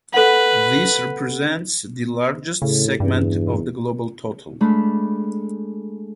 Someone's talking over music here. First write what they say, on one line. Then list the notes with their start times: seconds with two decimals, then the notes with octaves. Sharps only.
This represents the largest segment of the global total.
0.14 A4 B4 F#5
2.62 A2 C#3
3.00 E2 G2
4.61 G#3 A3 D4 B5